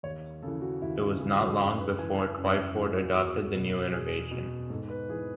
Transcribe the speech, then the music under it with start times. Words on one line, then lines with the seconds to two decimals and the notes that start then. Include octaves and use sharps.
It was not long before Twyford adopted the new innovation.
0.03 D#2 C#5
0.42 C#3 E3 A4
0.61 F#4
0.82 D#2 E4
1.00 C#4
1.20 C#3 E3
1.40 F#4
1.59 F#2 G#4
1.78 B4
1.99 E3 G#5
2.18 G#5
2.37 F#2
2.57 E5
2.76 E3 G#4
2.95 F#4
3.15 E2 F#4
3.54 B2
3.92 E2 G#4
4.31 B2
4.70 G#2 A4
4.90 B4
5.09 E3 G#4